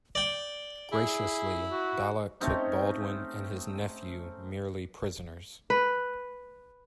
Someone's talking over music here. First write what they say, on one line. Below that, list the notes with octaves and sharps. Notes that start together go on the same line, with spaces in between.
Graciously, Balac took Baldwin and his nephew merely prisoners.
D5 G5
E4 G#4
F#4
A3 C4 C#4 D#4
B4